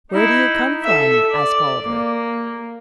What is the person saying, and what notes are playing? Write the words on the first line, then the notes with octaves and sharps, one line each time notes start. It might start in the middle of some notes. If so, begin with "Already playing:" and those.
"Where do you come from?" asked Calder.
D#4 E4
A4 E5
D5
A#3